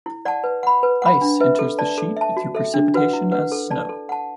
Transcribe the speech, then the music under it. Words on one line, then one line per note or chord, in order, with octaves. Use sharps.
Ice enters the sheet through precipitation as snow.
E4
D5 F#5 A5
B4
F#5 B5
B4
F#5 B5
D4
B4 E5
A4
D5 A5
A4
E5 A5
F#4
A4 E5
D4
F#4 B4 F#5
E4
B4 F#5
A4
D5 A5
A4
F#5 A5